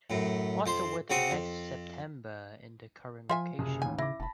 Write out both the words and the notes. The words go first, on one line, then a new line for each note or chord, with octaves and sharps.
What's the weather next september in the current location?
F#2 A2
F2 C5 C6
C#3 C4 F#4 C#6 D#6
F2
F3 F4 E5 G#5
F#1 C3 G#4
A1 D#2 G#5
C#3 E4 D6 A#6
F1 A5 B5